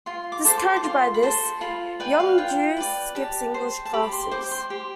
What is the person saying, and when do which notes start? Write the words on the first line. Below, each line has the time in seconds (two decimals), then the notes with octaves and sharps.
Discouraged by this, Young-ju skips English classes.
0.06 F4 C6
0.32 D6
0.45 A4 C5
0.53 D6
0.58 C6
0.77 D6
0.84 F4 C6
1.14 B5
1.23 A4 C5 C6
1.61 F4 B5
2.00 B4 D5 G5
2.20 F5
2.38 F4 G5
2.77 B4 D5
3.15 G4 A5
3.54 C5
3.85 A5
3.94 G4 B5
4.12 C6
4.31 C5 D6
4.51 C6
4.70 G4